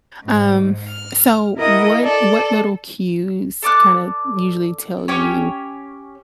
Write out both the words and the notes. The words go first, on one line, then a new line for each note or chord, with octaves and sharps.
Um, so what what little cues kinda usually tell you
G#2
F6
E4 A#4 D#5 F#5 D#6
A4 D5
A4 D5 D6 F#6
C#4 G4 C#5